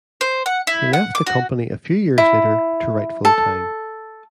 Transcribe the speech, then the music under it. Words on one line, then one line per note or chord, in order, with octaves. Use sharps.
He left the company a few years later to write full-time.
C5
F#5
E4
F#5
D6
F#4
E4
A4